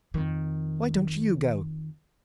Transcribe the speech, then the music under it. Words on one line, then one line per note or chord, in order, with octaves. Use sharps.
Why don't you go?
F2 D#3